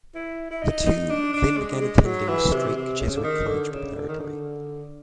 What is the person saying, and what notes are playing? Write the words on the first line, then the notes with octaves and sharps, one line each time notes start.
The two then began attending Strake Jesuit College Preparatory.
E4
E4
D#4
D#4
D4
D4
G#3
G#3
F#3
E3
C3
C3
C#3
D3
D#3
D3
C#3
D3
D#3
D3